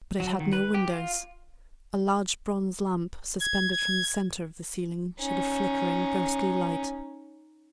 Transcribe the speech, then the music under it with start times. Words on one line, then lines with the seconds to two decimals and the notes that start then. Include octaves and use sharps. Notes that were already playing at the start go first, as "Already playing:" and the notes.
But it had no windows--a large bronze lamp, suspended from the centre of the ceiling, shed a flickering, ghostly light.
0.20 F#3
0.40 D#3
0.53 B4
0.74 G4
0.91 F4
3.40 G#6
3.71 G#6
5.20 C#4 D#4